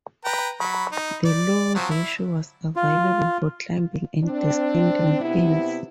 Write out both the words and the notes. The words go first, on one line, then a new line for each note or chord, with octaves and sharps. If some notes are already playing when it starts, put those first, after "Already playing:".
The low ratio was available for climbing and descending hills.
B4 G5 A#5
F#3 B5
D#4
D5
F3 F#3 C4
E4
F4
C4 D4
C3 B3 E4